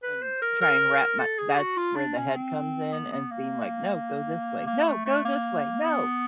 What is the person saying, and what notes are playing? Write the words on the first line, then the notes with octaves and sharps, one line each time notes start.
And try and wrap my that's where the head comes in and being like, "No, go this way. No, go this way. No."
B4
C5
A#4
A#4
A4
G#4
F#4
F4
D4
C#4
C4
B3
B3
A#3
A#3
A3
A3
A#3
B3